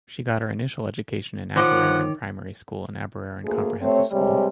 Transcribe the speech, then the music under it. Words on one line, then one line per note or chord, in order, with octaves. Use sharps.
She got her initial education in Aberaeron Primary School and Aberaeron Comprehensive School.
D#3 F3 C#5 F#5 D6
D2 A#3 G#4
C3 A3 C4 C#5
G2 C3 G3 G#3 C#5